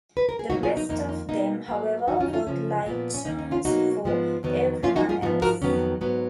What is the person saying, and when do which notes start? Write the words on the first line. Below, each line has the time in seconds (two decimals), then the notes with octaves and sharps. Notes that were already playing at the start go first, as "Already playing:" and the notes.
The best of them, however, worked like charms for everyone else.
0.17 B4
0.29 A#4
0.39 G#4
0.50 B2 F#3 A#3 D#4 F#4
0.63 F4 G#4
0.77 D#4
0.89 F2 D#3 A#3 D#4
1.09 D#4
1.29 B2 A#3 D#4
1.68 G#2 F#3 A#3
2.07 F2 D#3 F#3 D#4 F#4
2.20 C#4 F4
2.28 D#4
2.33 C#4 F4
2.47 F#2 C#3 F3 C#4
2.86 A#2 F3 B3
3.14 C#4
3.25 D#2 D#3 A#3 D#4
3.39 D#4
3.51 C#4 F4
3.65 B2 F#3 A#3 D#4 F#4
4.04 G#2 F3 G#3 B3
4.43 F2 D#3 F#3 B3
4.83 F#2 F3 A#3 C#4 F4
4.96 D#4 F#4
5.09 F4 G#4
5.22 G#2 F3 B3 D#4 F#4
5.42 F#4 A#4
5.62 F2 D#3 F#3 B3 C#4
6.01 G#2 F#3 B3